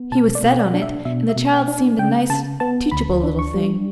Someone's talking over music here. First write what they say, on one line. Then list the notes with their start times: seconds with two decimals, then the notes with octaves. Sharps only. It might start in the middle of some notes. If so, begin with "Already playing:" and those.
He was set on it; and the child seemed a nice, teachable little thing.
Already playing: B3
0.12 B2 A5
0.35 D5
0.43 B2
0.59 D5
0.74 D4
0.82 E5
1.05 B2 E5
1.29 E5
1.36 B2
1.53 G5
1.68 D4
1.99 C#3 G5
2.30 C#3 A5
2.60 B3 A5
2.91 D2 B5
3.24 D4
3.39 C#6
3.54 G3